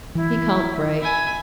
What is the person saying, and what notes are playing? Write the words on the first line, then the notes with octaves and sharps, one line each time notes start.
He can't bray.
E3 E4
E4 G#5